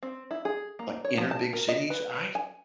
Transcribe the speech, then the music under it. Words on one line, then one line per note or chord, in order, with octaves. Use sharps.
like, inner big cities, I
C4
E4
G#4
A#3
C#5
F3
A5
A#4
D#5
B4
G#5